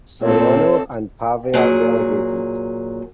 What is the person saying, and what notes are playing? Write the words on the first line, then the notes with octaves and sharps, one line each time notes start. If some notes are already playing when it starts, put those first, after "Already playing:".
Saronno and Pavia relegated.
A#2 C4 A4 C#5
A#2 F#3 G#4